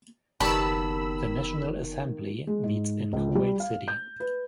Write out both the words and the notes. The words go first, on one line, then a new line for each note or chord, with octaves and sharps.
The National Assembly meets in Kuwait City.
F#1 D#3 B3 G4 A5 B5 E6
G#3
G#2
C#2
G3
F5
G6
B4